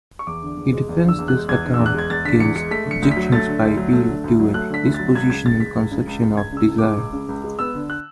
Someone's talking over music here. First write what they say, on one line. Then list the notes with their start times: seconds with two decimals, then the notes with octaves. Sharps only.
He defends this account against objections by appeal to a dispositional conception of desire.
0.19 C#6
0.27 E2 D6
0.43 D3
0.57 E2
0.73 G#3
0.89 E2
1.04 D3 E6
1.19 E2
1.28 F#6
1.34 G#3
1.49 E2 G#6
1.65 D3
1.74 E6
1.79 E2
1.86 F#6
1.94 G#3 G#6
2.10 E2 A6
2.25 D3 B6
2.40 E2 C#7
2.56 G#3 C#7
2.71 A3 B6
2.86 D3
2.91 C#7
3.02 D2
3.11 B6
3.17 F#3
3.32 A3 A6
3.47 D3
3.63 D2
3.77 F#3
3.93 A3
4.09 D3
4.24 D2
4.39 F#3
4.54 A3 F#6
4.70 D3 B6
4.84 D2
4.94 F#3 A6
5.15 C#2 G#6
5.30 C#3 G#6
5.46 C#2 A6
5.60 G#3 B6
5.77 C#2
5.91 C#3
6.07 C#2
6.21 G#3
6.37 C#2 G#6
6.52 C#3 E6
6.68 C#2
6.78 G#3 D6
6.98 C#2
7.13 C#3
7.29 C#2
7.44 G#3
7.59 B3 E6
7.75 D3
7.90 F#6